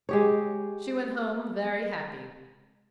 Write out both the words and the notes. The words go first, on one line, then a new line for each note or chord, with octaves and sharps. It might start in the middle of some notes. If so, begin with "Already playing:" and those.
She went home very happy.
G#3 G4 C#5